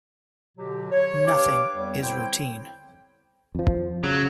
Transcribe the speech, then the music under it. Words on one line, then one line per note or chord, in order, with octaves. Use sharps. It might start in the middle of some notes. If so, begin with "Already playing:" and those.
Nothing is routine.
B2 D3 F#3 F#4 G4
C#5
D4 G4 B4 F5 D6
F2 G3 B3 C#5
D3 C4 E4 C5 C#5 G5
F2 F3
C#3 F#3